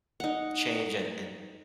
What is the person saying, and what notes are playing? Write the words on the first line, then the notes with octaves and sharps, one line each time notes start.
change and and
D#4 F#5